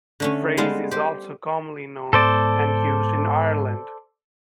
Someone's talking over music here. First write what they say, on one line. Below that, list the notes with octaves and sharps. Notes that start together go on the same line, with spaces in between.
The phrase is also commonly known and used in Ireland.
D3 A3 C#4
G3 G#3 B3 C5 F5 A5
G4 C5
G#2 B3 A4 C5 D5